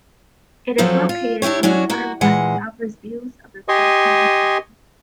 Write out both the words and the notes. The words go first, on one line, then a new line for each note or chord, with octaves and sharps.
It is located on the waterfront and offers views of the Tathong Channel.
F3 F#3 C4 C#4 A4
F4
D4 E4 F4 G4 C#5
F#3 C#4 D4 F#4
A#3 F#4
A#2 E3 G#3 F#5
G4 D#5 G#5 C6 C#6 D#6